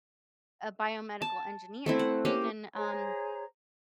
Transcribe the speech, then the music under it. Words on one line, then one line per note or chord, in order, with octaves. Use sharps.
a biomedical engineer and, um
A5
A3 C4 E4
F#5
A#3 C#4 G4
G#4 C5 C#5 A#5